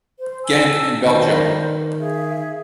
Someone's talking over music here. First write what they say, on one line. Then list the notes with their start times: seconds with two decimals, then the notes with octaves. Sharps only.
Genk in Belgium.
0.19 C5
0.44 G#5 A5 E6
1.06 D#3 A#4 C5 D5
2.00 G#4 E5 F5